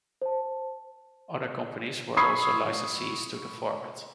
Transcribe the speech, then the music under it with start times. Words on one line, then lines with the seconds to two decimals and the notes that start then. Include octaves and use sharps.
Other companies were also licensees to the format.
0.22 C5 A5
2.17 B5 C#6 D#6 E6 G#6 C7